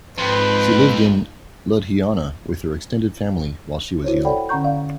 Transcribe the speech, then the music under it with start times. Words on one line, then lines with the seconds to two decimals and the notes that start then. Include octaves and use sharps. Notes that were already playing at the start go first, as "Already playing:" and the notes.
She lived in Ludhiana with her extended family while she was young.
0.18 F2 G#2 D#4 B4 G5 C6
4.04 E4 F#4 A#4 C5 C#5
4.25 A4 C#5 D5 F#5 G5 B5
4.49 D3 C#4 F#5 A#5 C#6 G6
4.64 D5 F5